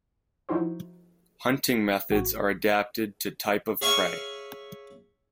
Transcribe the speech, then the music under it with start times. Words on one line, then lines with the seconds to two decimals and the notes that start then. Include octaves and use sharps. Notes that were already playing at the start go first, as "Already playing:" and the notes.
Hunting methods are adapted to type of prey.
0.49 F3 D#4 E4 F#4 C5
2.11 A1 F#4
3.81 G#4 C#5 E5 F5 G#5 C#6